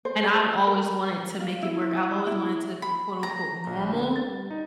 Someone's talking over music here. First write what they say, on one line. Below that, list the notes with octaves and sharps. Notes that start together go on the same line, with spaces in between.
and I've always wanted to make it work. I've always wanted to be quote unquote "normal"
C5
G#4
A#4
F4
E4
E4
B5
A#5
A#1
D3
A6
G3
D#4